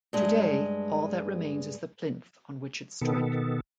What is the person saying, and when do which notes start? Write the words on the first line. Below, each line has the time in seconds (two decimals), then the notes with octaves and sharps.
Today, all that remains is the plinth on which it stood.
0.13 G2 G#3 A3
3.01 B2 D#3 B3 A4